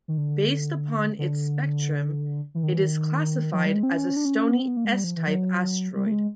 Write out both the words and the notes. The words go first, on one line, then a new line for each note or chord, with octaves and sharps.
Based upon its spectrum, it is classified as a stony S-type asteroid.
D#3
D3
D3
E3
D#3
E3
D#3
F#3
F3
G3
G#3
C4
C#4
D4
C#4
B3
C4
B3
A#3
G#3
G3
F3
E3
F#3
G3
A3
G#3